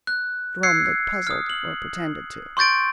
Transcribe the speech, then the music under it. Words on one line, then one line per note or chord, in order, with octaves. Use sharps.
Jerome looked puzzled, or pretended to.
F#6
E6 F#6 G#6 C7 C#7
D#6 F6
F#7
C6 C#6 G6 A6 D7